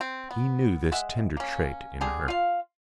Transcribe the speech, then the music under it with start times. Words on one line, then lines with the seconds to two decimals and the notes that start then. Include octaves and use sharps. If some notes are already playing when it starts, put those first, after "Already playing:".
He knew this tender trait in her.
0.01 C4
0.31 B3
0.92 G#3 E5 F#5
1.37 A#3 C#4
2.01 D3 G4 G#4
2.28 F4 F5